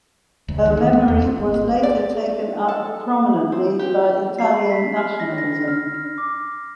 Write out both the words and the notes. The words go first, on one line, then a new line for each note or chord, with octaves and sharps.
Her memory was later taken up prominently by Italian nationalism.
C#2
D#3
D#3
A3
E2
C4
G#1
A#3
D5
A4
C4
G4
C7
B5
B6
F6
A#6
A#6
F6
F6
D6